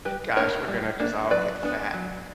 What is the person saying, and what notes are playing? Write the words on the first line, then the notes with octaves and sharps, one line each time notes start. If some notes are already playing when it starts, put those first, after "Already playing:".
Gosh, we're gonna just all get fat.
G3 G4 B4
A#3 D4 A#4 C#5
G3
A#3 D4
F#3 B4 D5
B3 D4
F#3